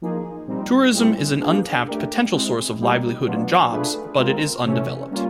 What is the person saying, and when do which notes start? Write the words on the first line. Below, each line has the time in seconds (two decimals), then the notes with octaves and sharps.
Tourism is an untapped potential source of livelihood and jobs but it is undeveloped.
0.02 F3 A#3 D#4 G#4
0.47 A#2 G3 C4 D#4
0.93 A#2 G3 C4 E4 G#4
1.40 A#3 D4 F4 G#4 B4
1.87 A3 D4 G4 A#4
2.33 G#3 C4 E4
2.79 A#2 G3 A#3 D#4 G4
3.26 B2 F#3 B3 D4 F4
3.72 A3 D4 F4 G#4 B4
4.18 G#3 C4 F4 A#4
4.65 C3 E3 A3 C#4
5.11 G3 A#3 C#4 F4